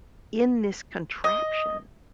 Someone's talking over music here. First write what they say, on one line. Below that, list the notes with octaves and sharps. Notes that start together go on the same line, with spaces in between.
in this contraption.
D#5